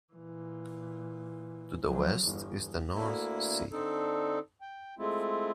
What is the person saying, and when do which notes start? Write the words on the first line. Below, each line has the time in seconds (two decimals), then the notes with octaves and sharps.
To the west is the North Sea.
0.13 A#2 E3
1.83 F3 F#3
2.23 G1 E2
2.92 D2 D3 A#3 E4
3.72 D3 C4 D4 D#4 A4
4.61 G5
4.99 G#3 A3 C4 E4 F4